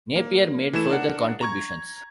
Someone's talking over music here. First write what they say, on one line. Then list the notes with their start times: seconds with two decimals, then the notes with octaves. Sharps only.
Napier made further contributions.
0.16 A#3
0.73 E3 A3 E4 E7
0.90 D4 A#4 F#5
1.41 A#5 C#6 G#6